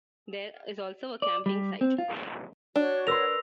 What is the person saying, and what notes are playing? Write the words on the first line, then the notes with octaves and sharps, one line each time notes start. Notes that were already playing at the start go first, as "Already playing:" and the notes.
There is also a camping site.
D5
G3
C4
F4
D4 F#4 C#5
A#4 B4 C6 E6 A#6 F7